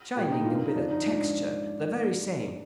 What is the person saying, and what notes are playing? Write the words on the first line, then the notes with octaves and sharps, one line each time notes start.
Shining and with a texture--the very same.
A#2 F3 G4
D#4
G2 D#3 F4
D#4
F2 D3 F3 D4
D#4
G#2 F3 D4